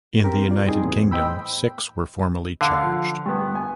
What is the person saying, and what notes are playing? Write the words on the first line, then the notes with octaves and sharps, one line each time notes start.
In the United Kingdom, six were formally charged.
C4 G4 A#4
F4 D5
G3 C4 D#4 G#4
E2 A2 B3
C5 D#5 G5 B5 E6
D3 F5
F3
G2 B3
G#5